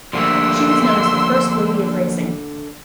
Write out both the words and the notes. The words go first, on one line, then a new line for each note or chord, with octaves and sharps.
She was known as the first lady of racing.
D3 F3 G3 A3 A#3 C6 E6